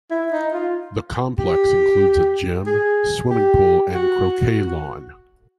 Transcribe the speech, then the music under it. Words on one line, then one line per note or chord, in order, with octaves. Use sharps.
The complex includes a gym, swimming pool and croquet lawn.
E4
D#4
F4
G4
G#4
G4
F#4